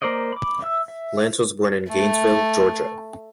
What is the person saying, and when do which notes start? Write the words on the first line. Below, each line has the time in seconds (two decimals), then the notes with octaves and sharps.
Lance was born in Gainesville, Georgia.
0.02 A#3 A#4 C5 D5 D#5
0.32 B5 D6
0.62 E5 E6
0.88 E5
1.90 A3